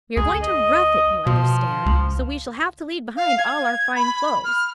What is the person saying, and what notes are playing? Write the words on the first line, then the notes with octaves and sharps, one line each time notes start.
We are going to rough it, you understand, so we shall have to leave behind all our fine clothes.
D2 G#4
D#5
B2 F3
C#2
F5
G#6
B5
F6